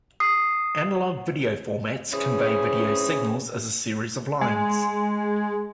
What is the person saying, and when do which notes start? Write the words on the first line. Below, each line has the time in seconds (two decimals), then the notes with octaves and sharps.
Analog video formats convey video signals as a series of "lines".
0.20 D#6 C7
2.12 C#3 E3 C4 C#4 G#4
4.41 G#3